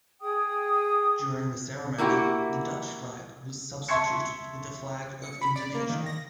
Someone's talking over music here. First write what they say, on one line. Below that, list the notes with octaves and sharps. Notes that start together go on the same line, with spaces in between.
During the ceremony, the Dutch flag was substituted with the Flag of Indonesia.
G#4 G5 D#6
A#3 E4 F#4 G4
E5 A5 C6 C#6 G#6 C#7
C#7
B5
D5
A#3
D#3
A#6